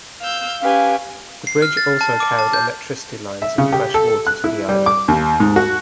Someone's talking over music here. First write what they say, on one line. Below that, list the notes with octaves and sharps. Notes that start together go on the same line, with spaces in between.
The bridge also carried electricity lines and fresh water to the island.
F5 E6 G6
C#4 G4 B4 F5 G#5
C7
F6
A6
A5
D6
A5
G6
E5
C#3
G4
A4
F#6
E4
G3
D6
D#2
G#2
F#4